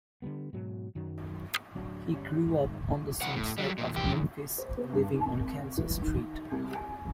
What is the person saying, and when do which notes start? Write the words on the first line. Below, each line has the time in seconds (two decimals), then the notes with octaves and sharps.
He grew up on the south side of Memphis, living on Kansas Street.
0.22 D3 F3 G3 B3
0.53 G#2 B2 F#3
0.95 F#2 D#3 F#3
1.75 D1 F#3 D4
2.14 G1 G3 C#4
2.47 F1 G#2 D#3
3.21 C2 F#5
3.36 A2
3.58 F#3 G3
3.78 E2 A#2
3.94 E2 G4
4.12 E2
4.58 C5
4.77 B3
4.93 G2
5.12 D#3
5.25 G#1
5.77 E3
6.02 D#3
6.52 C2
6.75 G#5